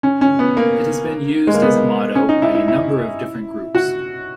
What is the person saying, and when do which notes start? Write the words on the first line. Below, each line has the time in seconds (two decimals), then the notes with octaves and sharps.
It has been used as a motto by a number of different groups.
0.03 C#4
0.21 C#4
0.39 B3
0.57 A#3
1.47 G#3
1.54 A#3
1.62 B3
2.15 C#4
2.29 D#4
2.42 E4
2.55 E4
2.68 E4
3.75 F#4